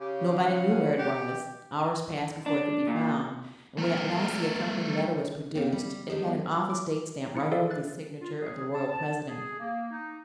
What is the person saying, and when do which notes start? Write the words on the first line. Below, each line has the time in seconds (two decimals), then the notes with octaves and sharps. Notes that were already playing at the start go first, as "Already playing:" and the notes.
Nobody knew where it was; hours passed before it could be found; and when at last the accompanying letter was produced, it had an office date stamp right over the signature of the royal president.
0.01 C#3 G4
0.43 F#5
0.99 G4
2.46 D4
2.88 A#2
3.78 A3 A#4
5.55 C3 D#3 B3 C#5 F5
5.72 G3
6.10 D#3 G#3 G4
6.24 F#3 B3
6.70 D6
7.34 D#4 E4 C#7
7.52 G#4 A4 D5 E5 F5
7.71 F#6 A6
8.21 F4
8.40 G#4
8.75 A5
9.28 G#4
9.60 A#3
9.92 D#4